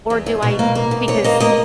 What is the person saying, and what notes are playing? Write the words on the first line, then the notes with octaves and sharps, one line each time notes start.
or do I because
E2
E2
B2
A#3
A#3
B2
B2 C#5
A#3 D#5
A#3 D#5